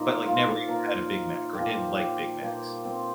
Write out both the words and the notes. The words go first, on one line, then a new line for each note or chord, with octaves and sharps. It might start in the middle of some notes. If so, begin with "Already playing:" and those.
but, like, never even had a Big Mac, or didn't like Big Macs.
Already playing: A#2 F3 D#4
F4
A#2 F3 A#4
A#2 F3 G4
G4
A#2 F3
C4